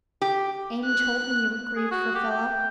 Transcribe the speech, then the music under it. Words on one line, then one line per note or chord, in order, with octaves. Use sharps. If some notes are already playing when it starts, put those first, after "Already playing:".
'Amy told me you were grieved for Philip.
G4
F#6
G#4
F#4
G4
G5